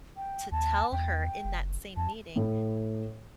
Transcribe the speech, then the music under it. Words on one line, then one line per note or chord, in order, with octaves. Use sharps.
to tell her in that same meeting,
G5
D#2 A5
E2 G5
F#1
F2 A5
A2